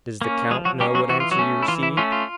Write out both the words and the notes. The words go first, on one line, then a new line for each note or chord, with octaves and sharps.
"Does the count know what answer you received?"
A#3 C#4
F3 G#3 G#4
F#3 F#4
G3 A#3 C#4 G4
F#3 F#4
E3 F#4
F4
F#3 F#4
A3 C#4
E4
E3 F4
E4
A3 C#4 F4
F4